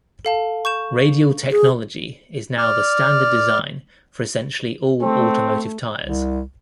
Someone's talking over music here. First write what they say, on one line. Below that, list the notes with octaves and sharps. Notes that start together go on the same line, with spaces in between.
Radial technology is now the standard design for essentially all automotive tires.
A4 F5 A5
C#6 G6 E7
G#4
D5 F6
A3 C4
C2